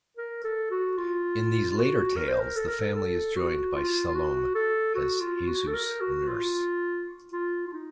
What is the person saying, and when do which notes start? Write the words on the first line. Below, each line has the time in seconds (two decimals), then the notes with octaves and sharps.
In these later tales the family is joined by Salome as Jesus' nurse.
0.17 A#4
0.44 A4
0.71 F#4
0.97 F4
1.70 F4
1.77 F#4
2.16 A#4
2.28 C5
2.40 A#4
2.56 A4
2.67 A#4
2.80 A4
2.96 A4
3.36 F#4
3.75 F4
4.08 F4
4.15 F#4
4.55 A4
4.95 F#4
5.20 F4
5.47 F#4
5.68 A4
5.74 A#4
6.01 F#4
6.27 F4
7.32 F4
7.67 F4
7.73 D#4